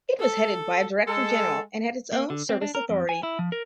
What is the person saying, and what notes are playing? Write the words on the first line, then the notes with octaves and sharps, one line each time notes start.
It was headed by a Director-General and had its own service authority.
A4
G#3 A4
A#3
D3
C4
D4
A#4
F2
G#5
E4
F3
A#4